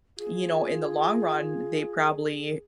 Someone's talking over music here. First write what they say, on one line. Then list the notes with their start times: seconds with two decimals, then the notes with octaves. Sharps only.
you know, in the long run, they probably
0.18 F4 G#4